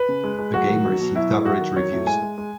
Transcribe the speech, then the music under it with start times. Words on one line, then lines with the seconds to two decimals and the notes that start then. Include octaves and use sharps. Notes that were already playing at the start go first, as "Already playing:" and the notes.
The game received average reviews.
Already playing: B4
0.09 C#3
0.24 G#3
0.39 G#3
0.54 F#3 F#4
0.69 D#3
0.85 F#3
1.00 B2
1.15 F#3 E4
1.30 A2
1.45 F#3 F#4
1.61 D#3
1.76 F#3 C#5
1.92 A2
2.07 G#3 G#5
2.22 G#3
2.38 G#3